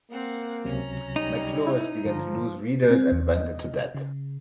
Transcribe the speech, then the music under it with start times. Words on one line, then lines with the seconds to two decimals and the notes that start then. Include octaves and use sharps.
"McClure's" began to lose readers and went into debt.
0.11 A#3 C4 F#5
0.64 C#2 C3 F#3 C#4 A#5
1.16 G3 D#4
1.67 E4
2.05 G2 D3 F3 A#5
2.91 C4
3.12 E2
3.37 D#5
3.95 C#3